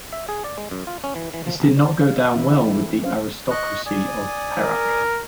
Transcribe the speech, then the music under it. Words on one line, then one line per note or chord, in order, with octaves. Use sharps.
This did not go down well with the aristocracy of Perak.
E5
G#4
D5
G#3
F#2
F4
C#4
E3
E3
F3
B1
D5
F5
E3 C4 D4 E4 E5
A4
F#3 G3 C#4 D4 C5 F5
D#5 C#6 F#6
D5 G#5 D#6
A#4